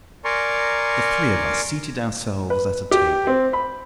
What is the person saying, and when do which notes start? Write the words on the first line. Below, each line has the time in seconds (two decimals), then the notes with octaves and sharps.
The three of us seated ourselves at a table.
0.25 A#4 D5 G#5 A#5 C6 C#6
2.50 B4
2.91 G4
3.27 C4
3.53 B5